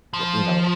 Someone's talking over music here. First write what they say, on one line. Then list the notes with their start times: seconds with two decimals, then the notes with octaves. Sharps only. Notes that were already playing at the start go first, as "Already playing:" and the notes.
eh, you know?
0.14 F3